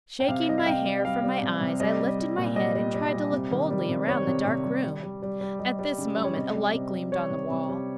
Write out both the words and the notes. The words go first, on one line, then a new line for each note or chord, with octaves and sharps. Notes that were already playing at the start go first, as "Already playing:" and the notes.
Shaking my hair from my eyes, I lifted my head and tried to look boldly round the dark room; at this moment a light gleamed on the wall.
G5
C3 F5
G3 D#5
F5
C3 G5
G3
G3 F5
G3
C3
C3
G3 D#5
G3
G3
A#2
G3 D#5
G3
G3
G3
C3
D#3
G3
C3
G3 C#5
C3
C3
G3
G3
G3
G3
G3
G3 D#5
G3
C#3
G3
C#5
C3 D#5
G3
C3
G3
G3 C#5
C3
C3
G3